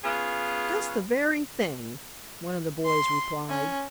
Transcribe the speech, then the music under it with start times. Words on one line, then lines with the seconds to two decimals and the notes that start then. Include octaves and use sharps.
"Just the very thing!" one of the boys replied.
0.04 B3 C#4 F4 G#4
2.85 C6
3.49 C#4